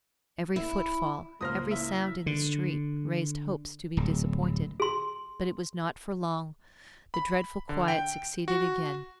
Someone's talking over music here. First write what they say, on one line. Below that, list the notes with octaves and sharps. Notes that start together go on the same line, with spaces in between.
Every footfall, every sound in the street, raised hopes to be disappointed; but it was not for long, the dreadful quiet succeeded again.
E4
C#2 A2 C#3 A#3 C5 D#6 F6 A#6
E4 E5
D3
D1
G#4 C6
B5
D3
G5
F#4